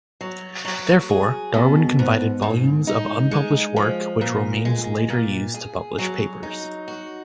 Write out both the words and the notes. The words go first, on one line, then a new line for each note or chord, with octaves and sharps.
Therefore, Darwin confided volumes of unpublished work which Romanes later used to publish papers.
F#3
F#3
G#4
B2
G#2
G#2
D#4
G#3
F3
A#2
G#3
A#2
G#4
F#3
D#4
F#4